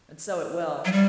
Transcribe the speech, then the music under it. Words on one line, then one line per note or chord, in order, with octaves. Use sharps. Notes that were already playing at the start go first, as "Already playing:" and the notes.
And so it will.
F#3
G3